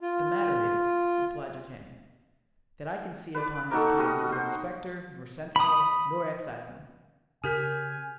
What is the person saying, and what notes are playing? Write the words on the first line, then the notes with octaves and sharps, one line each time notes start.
"The matter is," replied D'Artagnan, "that I can see upon this pier neither inspector nor sentinel nor exciseman."
F4
B4 D5
A#3 D#4 F#4 A4
G3 F#4 D#6
C5
B5 D#6
C#3 G4 A#4 G#5 F6 G6 B6